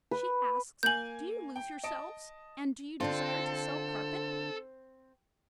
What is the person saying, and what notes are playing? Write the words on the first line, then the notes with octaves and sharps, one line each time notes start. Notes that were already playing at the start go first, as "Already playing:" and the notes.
She asks do you lose yourselves, and do you desire to sell carpet?
B4
A#3 G#5 G6 F#7
G5
D#5 A5 D7
D3 C4 D4 F4 A4